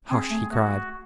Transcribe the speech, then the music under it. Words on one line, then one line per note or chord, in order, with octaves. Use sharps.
"Hush!" he cried.
C4 G#4
A3
A3 F#4